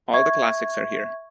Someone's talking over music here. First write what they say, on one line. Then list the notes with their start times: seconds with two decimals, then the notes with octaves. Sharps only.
All the classics are here.
0.13 E5 C#6 G#6